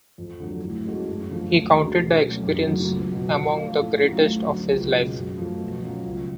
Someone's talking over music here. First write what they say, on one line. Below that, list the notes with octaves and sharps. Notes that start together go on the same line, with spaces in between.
He counted the experience among the greatest of his life.
F2
D3 F#3
A2
G#3 C#4 F#4 A4
F#2
D3 F3 A3
D2
D3 G#3 C#4 F#4
B2
F#3 A3 C#4 F#4
F#2
C#3 F#3 A3
C#2
B2 F#3
F3
A3 F4 A4
A2
F#3 A3 C#4 F4
D2
D3 F#3
C#2
B2 G#3 C#4
F#2
F3 A3
B2
F#3 C#4 F4
C#2